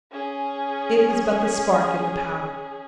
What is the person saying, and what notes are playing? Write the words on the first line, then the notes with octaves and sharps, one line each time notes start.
It was but the spark in the powder.
C#4 G#4